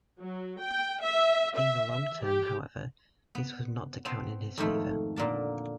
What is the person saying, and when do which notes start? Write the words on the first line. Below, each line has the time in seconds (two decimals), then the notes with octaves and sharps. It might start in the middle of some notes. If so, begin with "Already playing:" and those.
In the long term, however, this was not to count in his favour.
0.19 F#3
0.60 G5
1.02 E5
1.56 E5
1.92 E5
2.23 G4
3.35 B3
4.05 B3 C4 C5 A5
4.58 F2 G#2 D#3 A3
5.16 A#2 D3 A#3 A5